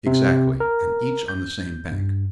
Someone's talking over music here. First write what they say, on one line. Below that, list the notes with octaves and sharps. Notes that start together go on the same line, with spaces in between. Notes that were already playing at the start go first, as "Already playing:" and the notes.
"Exactly, and each on the same bank."
C3
A#4
G6
G2